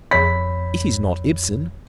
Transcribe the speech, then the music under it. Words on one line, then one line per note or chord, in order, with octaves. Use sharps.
It is not Ibsen.
F2 C#5 B5 B6